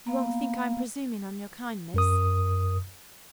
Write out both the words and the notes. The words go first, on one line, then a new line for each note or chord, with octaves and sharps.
"You won't think I am presuming on your kindness?"
A#3 B3 F5
F#2 A#4 D#6